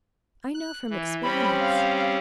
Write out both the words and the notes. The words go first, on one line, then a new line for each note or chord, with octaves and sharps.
"I know from experience."
F#6
E3
G3 C4 C#4 B5
F5